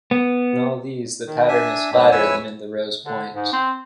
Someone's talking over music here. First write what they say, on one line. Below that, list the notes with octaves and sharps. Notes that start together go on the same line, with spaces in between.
In all these the pattern is flatter than in the rose-point.
B3
D#3
D4 E5 G#5
G#2 F#3 A#3 C4
F2 E4 B4 C#5 G#5 E6
D3
G#2
C4